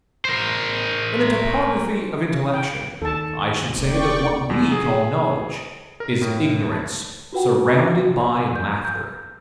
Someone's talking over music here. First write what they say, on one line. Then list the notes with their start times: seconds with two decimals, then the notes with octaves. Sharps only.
In the topography of intellection, I should say that what we call knowledge is ignorance surrounded by laughter.
0.25 A#4 C5
2.54 G5
3.02 D#2 D#3 A4 A5
3.78 D#1 C#2 A#3 D5 G5 C#6
4.50 E2
4.72 G#4
6.00 A#4
6.22 A2
6.72 A5
7.32 F4 F#4 B4 F#5 G5
8.56 G6
8.85 G6